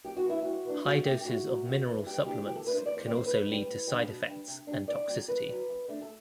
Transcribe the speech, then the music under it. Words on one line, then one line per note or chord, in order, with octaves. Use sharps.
High doses of mineral supplements can also lead to side effects and toxicity.
F#2 G4
F#4
E3 B3 E4
G2 F#4
E3 B3 D4
B2 F#4
A3 C4 G4
G4
A2 F#4
F#3 A3
G2
E3 B3
G2 G4
E3 B3 D4 G4
B2 G4
A4
A3 D4 B4
C5
E2 D5
C5
B2 G3 C4 D5
C5
F#2 B4
D3 G3
A2
G3 D4
B2
G3 D4
C3
G3 D4
C3 D5
F#3 C4
F#2 B4
D3 F#3
F#2
D3 A3 D4
A4